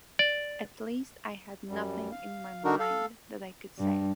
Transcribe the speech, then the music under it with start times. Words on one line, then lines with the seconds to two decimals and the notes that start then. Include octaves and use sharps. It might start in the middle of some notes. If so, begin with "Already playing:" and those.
At least I had nothing in my mind that I could say.
0.19 D5
1.69 F#2 G3
2.12 F5
2.64 D3 D4 D#4 F#4 A#4
2.79 A4 F5
3.79 G2